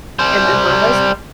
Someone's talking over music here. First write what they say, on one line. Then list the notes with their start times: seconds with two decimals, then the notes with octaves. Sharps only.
And then my hus
0.19 G3 C5